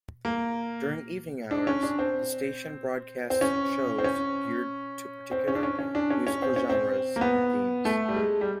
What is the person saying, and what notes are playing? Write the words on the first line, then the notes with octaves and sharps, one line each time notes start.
During evening hours, the station broadcasts shows geared to particular musical genres and themes.
A#3
D4
C#4
D4
C4
C4
C#4
C4
C#4
C4
C#4
D4
C#4
C#4
D4
C#4
C#4
C4
C#4
C4
A#3
B3
A3
G3
G#3
G3